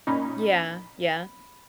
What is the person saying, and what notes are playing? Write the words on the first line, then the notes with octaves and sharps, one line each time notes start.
Yeah, yeah.
A#2 C#4 D#4 B5